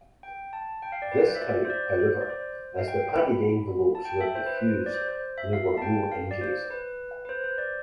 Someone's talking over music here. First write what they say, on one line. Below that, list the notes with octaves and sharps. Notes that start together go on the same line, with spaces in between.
This time, however, as the padded envelopes were defused, there were no injuries.
G5
A5
G5
F5
D5
B4
C5
E5
D5
C5
D5
C5
D5
C5
F5
G5
B5
A5
G5
E5
C5
B4
C5
D5
C5
C5
E5
F5
A5
G5
F5
D5
C5
B4
B4
C5
C5
D5